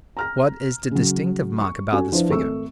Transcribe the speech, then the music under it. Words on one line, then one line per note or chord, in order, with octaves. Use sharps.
What is the distinctive mark about this figure?
A#5 F6 A#6
C#3 F#3
C#6
C#4 F#4 A4 G#5
F3 D4 E4 F4 B4 C5
G#1 A3 C#6 E6